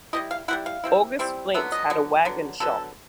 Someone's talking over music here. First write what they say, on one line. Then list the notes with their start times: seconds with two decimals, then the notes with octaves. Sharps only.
August Flint had a wagon shop.
0.13 G3 C4 E4 D#5
0.31 F5
0.48 G3 C4 E4 F#5
0.66 F5
0.84 G3 C4 E4
1.19 G3 C4 E4
1.54 D3 F#3 B3 E5
1.72 D#5
1.90 D3 F#3 B3
2.25 D3 F#3 B3
2.60 D3 F#3 B3 A4